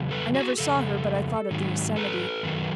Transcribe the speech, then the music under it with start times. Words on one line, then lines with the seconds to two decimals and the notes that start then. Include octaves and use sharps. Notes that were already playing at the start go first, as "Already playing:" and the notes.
I never saw her but I thought of the Yosemite.
Already playing: E2 C#3 F#3
0.11 A4 B4
0.35 F#4 G#4
0.58 F2 C#3 A4
1.51 G#2 D#3 F#3
1.96 A4 B4
2.43 F#2 D#3 F#3